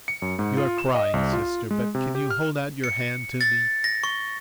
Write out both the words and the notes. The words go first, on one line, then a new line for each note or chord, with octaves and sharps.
"You are crying, sister, but can you hold out your hand to me?"
C#7
F#2
G#2
F4
E7
D#5
C2
F4
G#3
C3
G4
F6
C#7
A6
A#6
C#6